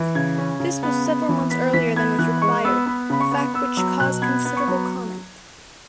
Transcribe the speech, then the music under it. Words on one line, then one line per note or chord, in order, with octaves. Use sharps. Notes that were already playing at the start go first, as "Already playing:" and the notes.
This was several months earlier than was required, a fact which caused considerable comment.
Already playing: E3
C#3 G#6
C#4
C#3
B3
B3
E3
B3 B6
E3 B6
B3 G#6
E3 F#6
G#3 C#6
B3 E6
B3 B5
C#3 B5
C#6
B3
B3 E6
F#3 E6
B2 F#6
B3 G#6
B3
C#6
F#3